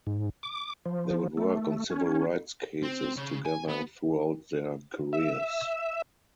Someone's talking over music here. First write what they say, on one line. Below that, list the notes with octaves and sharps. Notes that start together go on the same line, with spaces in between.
They would work on civil rights cases together throughout their careers.
G#2
D6
F3
A3
C#4
C4
C#3
G#5
B3
E5